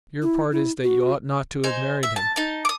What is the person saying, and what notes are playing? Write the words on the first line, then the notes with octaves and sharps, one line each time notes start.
Your part is that you ought not to have married him.
E4
E4
F#4
D#4 C5 G#5
E5
A5
D#4 A5
D6 D#6